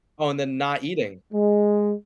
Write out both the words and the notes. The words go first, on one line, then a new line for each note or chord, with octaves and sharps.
Oh, and then not eating.
G#3